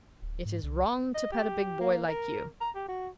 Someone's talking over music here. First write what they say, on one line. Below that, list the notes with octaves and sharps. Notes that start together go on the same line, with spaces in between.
It is wrong to pet a big boy like you.
D1
G#2
C2
D#5
G4
A#3
A#4
A#5
G4
F#4